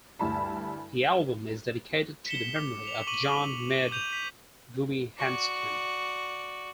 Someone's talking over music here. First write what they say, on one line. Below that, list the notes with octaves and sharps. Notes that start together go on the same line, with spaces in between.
The album is dedicated to the memory of John Med Gummihandsken.
D2 G2 G3 E4 A5 B5
B6 C#7 E7 G7
D6
F7
C#6 D6 D#7 F#7
D6 G6 D#7 F7
B6 F7
F#4 D5